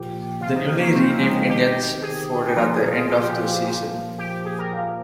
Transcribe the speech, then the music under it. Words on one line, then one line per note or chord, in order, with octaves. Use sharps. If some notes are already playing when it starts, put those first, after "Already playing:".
The newly renamed Indians folded at the end of the season.
Already playing: A#2 F3 G4
C3 F3 F4
D#4
A#3
C#4
C4
A#3
G#3
C3 D#3 G4
G#4
A#2 F3 A#4
G#4
F4
G4
A#2 F3
G4
G#4
A#4
A#2 F3